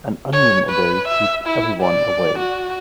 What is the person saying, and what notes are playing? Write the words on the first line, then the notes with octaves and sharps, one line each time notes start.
An onion a day keeps everyone away.
C#5
B4
E5
E4
D5
F#4